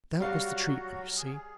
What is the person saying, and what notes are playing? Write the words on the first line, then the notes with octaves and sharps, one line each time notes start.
'That was the treatment, you see.
F#3 G3 F#4 F5 F#5
G#4